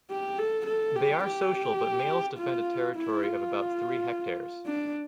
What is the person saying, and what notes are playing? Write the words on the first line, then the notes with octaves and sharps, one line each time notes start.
They are social but males defend a territory of about three hectares.
G4
A4
A4
G4
G4
F4
E4
F4
D4